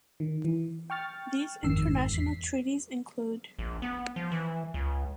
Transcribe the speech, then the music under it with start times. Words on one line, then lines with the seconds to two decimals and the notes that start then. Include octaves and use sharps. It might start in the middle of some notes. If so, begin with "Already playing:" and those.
These international treaties include.
0.20 D#3
0.45 E3
0.90 G5 C#6 F6 A6
1.63 G1 F2 G#2 D#3 E6 C7
2.12 E2 B6 C7
3.59 A#1
3.82 B3
4.16 F3
4.32 E3
4.74 C#2